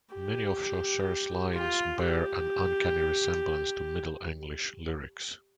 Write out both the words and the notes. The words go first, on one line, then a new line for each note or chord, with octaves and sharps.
Many of Chaucer's lines bear an uncanny resemblance to Middle English Lyrics.
G4
F4
G4